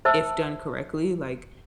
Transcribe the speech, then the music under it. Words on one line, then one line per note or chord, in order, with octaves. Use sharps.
if done correctly, like,
C5 E5 A5 E6